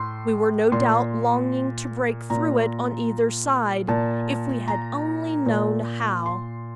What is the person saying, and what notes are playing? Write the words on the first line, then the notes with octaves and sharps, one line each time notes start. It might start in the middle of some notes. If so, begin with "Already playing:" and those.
We were no doubt longing to break through it on either side--if we had only known how.
Already playing: A2 C6
A#2 C6
A#2 A#5
A#2 A5
A#5
A#2
C6